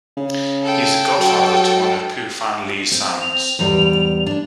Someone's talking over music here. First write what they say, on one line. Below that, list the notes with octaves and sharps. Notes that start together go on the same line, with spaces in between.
He is the godfather to one of Pui Fan Lee's sons.
C#3
A4 G5
F#3
C4
F7
E2 G#2 G3
D4